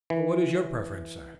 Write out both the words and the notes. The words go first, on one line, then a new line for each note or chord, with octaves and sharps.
"What is your preference, sir?"
E3